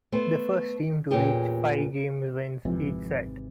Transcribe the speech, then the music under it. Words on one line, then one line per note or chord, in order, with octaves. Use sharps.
The first team to reach five games wins each set.
A3 B3 C5
E2 A#2 C#4 G4 G#4
G#1 F2 C3 E3